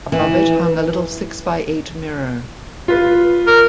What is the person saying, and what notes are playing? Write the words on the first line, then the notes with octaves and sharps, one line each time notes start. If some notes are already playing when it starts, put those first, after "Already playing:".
Above it hung a little six-by-eight mirror.
E3
F4 B4
A#4